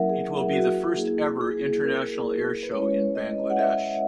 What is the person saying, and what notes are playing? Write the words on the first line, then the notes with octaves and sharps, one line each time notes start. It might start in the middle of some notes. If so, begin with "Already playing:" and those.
It will be the first ever international air show in Bangladesh.
Already playing: F#3 A#3 C#4 E4 A#4 E5 F#5
G#4
F#4
A#3 E4 G#4
G#4
A#4
B4
G#3 C#4 E4 C#5
D#5
F#5
E5